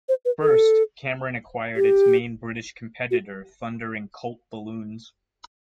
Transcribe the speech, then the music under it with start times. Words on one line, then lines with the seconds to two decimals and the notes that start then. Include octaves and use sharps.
First, Cameron acquired its main British competitor Thunder and Colt Balloons.
0.09 C5
0.25 B4
0.42 A4
1.76 G4
3.11 F#4